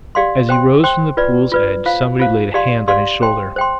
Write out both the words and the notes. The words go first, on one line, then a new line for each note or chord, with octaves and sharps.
As he rose from the pool's edge, somebody laid a hand on his shoulder.
G4 D5 F5 C6
C5 G5 C6
C5 G5 C6
F4 B4 D5
F4 B4 D5
F4 C5 F5
F4 C5 F5
G4 D5 F5 C6
G4 D5 F5 C6
C5 G5 C6
C5 G5 C6